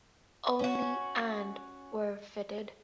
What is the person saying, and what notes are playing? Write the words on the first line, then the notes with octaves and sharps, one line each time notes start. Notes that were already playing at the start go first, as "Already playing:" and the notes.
Only and were fitted.
C#4 F#4